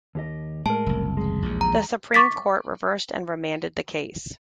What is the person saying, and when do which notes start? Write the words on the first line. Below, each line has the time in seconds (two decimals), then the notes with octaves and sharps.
The Supreme Court reversed and remanded the case.
0.15 D#2 G4 D#5
0.66 A2 G#3 A#4 A5
0.86 F#1 C2
1.17 E2 G#3
1.42 A#1 D#2
1.61 A#5
2.14 C#6 D6 A6 B6